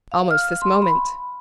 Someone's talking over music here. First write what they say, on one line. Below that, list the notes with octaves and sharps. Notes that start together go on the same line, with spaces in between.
"Almost this moment."
F5
F6
C6
B5